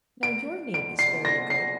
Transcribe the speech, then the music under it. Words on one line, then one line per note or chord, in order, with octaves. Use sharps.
Now, your name is fairly good.
D7
D7
C7
A#6
C7